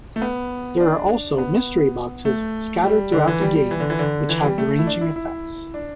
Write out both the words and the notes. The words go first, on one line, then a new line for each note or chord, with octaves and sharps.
There are also "mystery boxes" scattered throughout the game, which have ranging effects.
A3
B3
D4
B3
A3
G3
D3
E3
G3
G3
E3
D3
E3
D3
E3
G3
A3
E4
D4
E4
E4
D4